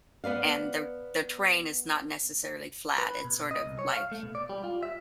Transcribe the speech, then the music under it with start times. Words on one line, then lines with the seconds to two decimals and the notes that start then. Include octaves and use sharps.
And the the terrain is not necessarily flat, it's sort of like
0.24 B3 B4 D5 F5
2.98 B4
3.25 B2
3.51 D#5
3.66 C2
3.79 C#5
3.93 F5
4.12 A3
4.23 B2
4.35 D5
4.50 G3
4.64 F4
4.83 E5